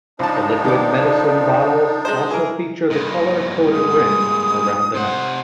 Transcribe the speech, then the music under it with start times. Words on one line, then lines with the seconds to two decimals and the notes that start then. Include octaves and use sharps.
The liquid medicine bottles also feature the color-coded ring around the neck.
0.19 C#2 F3 D4 D#4 A5
0.64 D#3 B3 D5 D6
2.05 G#3 C5
2.31 E3 G#4 A#4
2.90 G2 A#2 D#5
3.72 G#3 D#6
4.94 C3 C5 F#5